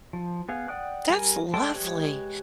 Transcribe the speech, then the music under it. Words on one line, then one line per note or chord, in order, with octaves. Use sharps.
That's lovely.
F3
B3 G#4 F5
D5 F#5 G5 D#6 F#6
G3 A#4 G#5
G#3 A4 G5 A5 C6
G#3 G4 B4 C#5